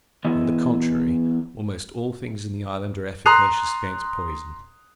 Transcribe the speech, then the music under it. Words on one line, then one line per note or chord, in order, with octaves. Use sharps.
On the contrary, almost all things in the island are efficacious against poison.
E3 B3 E4 G#4 D#5 E5
A#5 C6 D#6 F#6 C7 F7